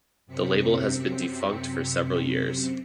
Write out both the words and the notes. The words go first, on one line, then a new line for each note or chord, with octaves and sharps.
The label has been defunct for several years.
F#2 C3 C4 B6 C#7